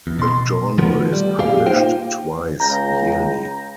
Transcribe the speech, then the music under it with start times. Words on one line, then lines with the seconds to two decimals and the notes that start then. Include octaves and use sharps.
The journal is published twice yearly.
0.07 E2
0.19 B2 C6
0.78 D#3 F3 F#3 A3 B3
1.13 G3
1.39 A#2 G4 G#4 F5
1.66 A#3 D#4 F4 C5 F5 G5
2.60 C#2 A#5 G6 A#6